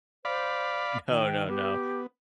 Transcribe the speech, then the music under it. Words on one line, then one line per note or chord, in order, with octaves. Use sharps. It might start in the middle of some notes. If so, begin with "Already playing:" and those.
no, no, no.
C5 D5 F5 B5
D#3 G5
B3 G4